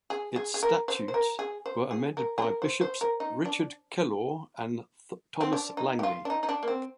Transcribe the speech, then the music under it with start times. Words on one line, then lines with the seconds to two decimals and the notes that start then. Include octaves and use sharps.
Its statutes were amended by Bishops Richard Kellaw and Thomas Langley.
0.10 G#4
0.36 G#4
0.54 G#4
0.63 A#4
0.88 C5
1.08 C5
1.14 A#4
1.39 G#4
1.66 C5
1.91 G#4
2.17 A#4
2.38 G#4
2.42 A#4
2.62 C5
2.81 C5
3.01 A#4
3.20 D#4
3.46 D4
5.41 C4
5.53 D4
5.77 D#4
5.99 G4
6.03 F4
6.25 D4
6.30 D#4
6.43 D#4
6.49 D4
6.63 A#3
6.68 C4